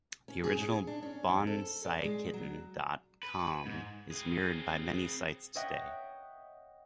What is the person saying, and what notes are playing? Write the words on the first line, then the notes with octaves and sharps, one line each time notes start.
The original bonsaikitten dot com is mirrored by many sites today.
C#4
G#4
C#4
D4
C#4
F2
A4
D5
G#3
F#3
B4
G#2
C4 G#4
C#5 D#5 E5 F#5 G5